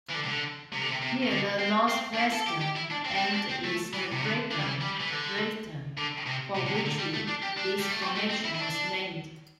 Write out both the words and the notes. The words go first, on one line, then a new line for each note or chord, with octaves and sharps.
Near the northwestern end is the crater Rheita, for which this formation was named.
E3
D3
C3
D3
C3
D3
C3
C3
D3
C4
C4
D4
E4
A4
G4
G4
E4
D4
C4
D4
C4
D4
C4
A3
E3
C3
D3
D3
G3
E3
G3
E3
D3
D3
C3
C3
D3
C3
D3
G3
A3
D4
G4
D4
G3
A3
C4
A3
C4
E4
E4
D4